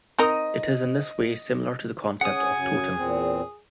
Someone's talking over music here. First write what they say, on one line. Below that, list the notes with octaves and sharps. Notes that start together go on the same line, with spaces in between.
It is in this way similar to the concept of Totem.
C4 D#4 A#4 D#5 D#6
C#4 G#4 F#5 G#5 D#6
F#2 C#3
E2 A#2 C4